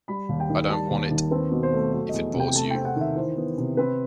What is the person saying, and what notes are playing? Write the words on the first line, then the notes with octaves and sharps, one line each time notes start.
I don't want to if it bores you.
G3 B5
D#2
G5
D#3
G3 A5
D#2
D#3
C4 B4
B2
C5
A3
F#3 C5
D#5
E2
C3
G5
A3 A5
G5
C4
F#5
D#3 E5
E3 C5
B3
C3
C4 B4